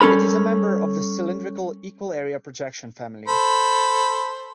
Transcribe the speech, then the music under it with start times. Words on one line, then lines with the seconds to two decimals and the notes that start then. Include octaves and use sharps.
It is a member of the cylindrical equal-area projection family.
0.01 G3 C#4 A4 A#4 B5
3.28 A4 C5 B5